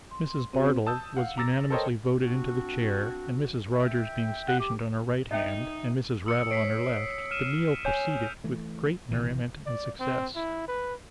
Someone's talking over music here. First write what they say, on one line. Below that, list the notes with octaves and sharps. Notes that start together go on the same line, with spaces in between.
Mrs. Bardell was unanimously voted into the chair, and Mrs. Rogers being stationed on her right hand, and Mrs. Raddle on her left, the meal proceeded with great merriment and success.
C6
C4 F#4 C5
A5 D#6 E6 G6
F5 F#5
A#5 D6 E6 A6 A#6
A4 A#4 C5 C#5 D#5 G5
C4 D4 F#4
E5 G5
F#5
G4
D#4 D#5 E5 G5
D#6 E6 C#7
C#5 B6 C7 D7
F6 D#7 E7
C#5 G#5 G6 D#7 F7
E3 A3
G#1 C3 E3
D5
C4
E4
B4